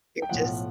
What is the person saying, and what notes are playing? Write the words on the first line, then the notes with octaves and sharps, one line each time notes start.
you're just
G5
B1 A2 F3 F#5